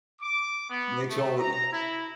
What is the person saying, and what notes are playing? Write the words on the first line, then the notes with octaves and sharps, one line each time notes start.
makes all of the
D6
B3
A3
A#5
E4